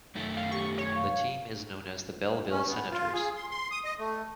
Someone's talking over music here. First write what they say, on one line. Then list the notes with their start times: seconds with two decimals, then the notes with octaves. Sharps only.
The team is known as the Belleville Senators.
0.15 F#2 D#3 A3
0.37 F5
0.51 G4 C#6
0.78 C#5
0.95 F5
2.51 C#4
2.68 B3
2.91 F4
3.13 G#4
3.36 C6
3.51 C6
3.71 D#6
3.85 D#5
3.99 A3